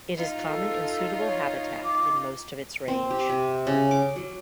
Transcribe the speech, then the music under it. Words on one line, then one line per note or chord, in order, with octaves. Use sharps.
It is common in suitable habitat in most of its range.
D#4 F4
A4
C#5
D6
C4
G4
C3
C#3
D6
F#3